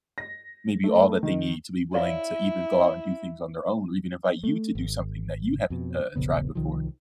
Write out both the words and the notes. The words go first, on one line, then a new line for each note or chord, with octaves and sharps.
may be all that they need to be willing to even go out and do things on their own, or even invite you to do something that you haven't, uh, tried before.
A#6
A3
D#3
E4 C#5 D5 F5
A3
G#1
F2 B2
E1 A#1 C#3 B3
C2 D#3 F3